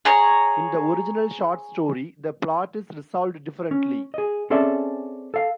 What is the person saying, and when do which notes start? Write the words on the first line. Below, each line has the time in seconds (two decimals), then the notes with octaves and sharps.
In the original short story, the plot is resolved differently.
0.05 G#4 C#5 A#5
3.71 C#4
4.14 G#4 D#5
4.50 C4 C#4 G#4 A4 D5 E5
5.34 A4 F5